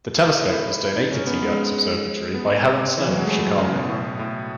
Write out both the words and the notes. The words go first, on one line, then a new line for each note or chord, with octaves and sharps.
The telescope was donated to Yerkes Observatory by Helen Snow of Chicago.
E4
D#4
C#4
B3
G#3
B3
E3
F#3
G#3
A3
F#3
C#3
B2
A2
A2